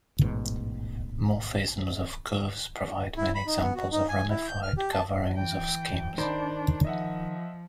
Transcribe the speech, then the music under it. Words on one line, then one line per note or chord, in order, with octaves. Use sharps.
Morphisms of curves provide many examples of ramified coverings of schemes.
A1 G#2 B2
E4
B5
D#4
B3
F#4
D#4
G#5
E4
G6
F6
G4
A5
E3 G5
D#3 D4 C5 D5 B5
F3 D#5 E5 F#5